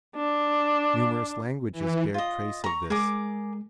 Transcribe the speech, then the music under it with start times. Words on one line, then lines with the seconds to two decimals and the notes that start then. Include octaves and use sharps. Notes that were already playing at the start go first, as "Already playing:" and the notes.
Numerous languages bear trace of this.
0.16 D4
1.72 E3
2.14 F4 D#5
2.64 A#5 C#6
2.90 G#3 G#4 A#4 D6